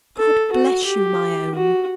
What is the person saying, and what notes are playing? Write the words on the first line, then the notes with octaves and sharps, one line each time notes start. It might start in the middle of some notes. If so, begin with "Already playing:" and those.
"God bless you, my own!"
A4
F#4
G4
F#4